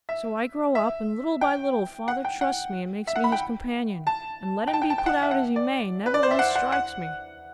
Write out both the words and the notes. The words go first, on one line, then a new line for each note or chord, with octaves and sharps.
So, I grow up, and little by little father trusts me, and makes me his companion, and, let him be put out as he may, never once strikes me.'
E5
E5
G5
F#5
G5
F#5
E5
F#5
B5
G5
A5
G5
A5
G5
A5
G5
F#5
E5
F#5
D5
B4
D5
C5
E5
F#5
F#5
F#5